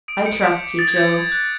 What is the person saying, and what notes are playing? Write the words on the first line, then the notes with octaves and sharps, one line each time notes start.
'I trust you, Jo.
D#6 D7
G6 C#7
D6 B6
G6
D#6 A6
G#6
G6 A6
D#6
F#6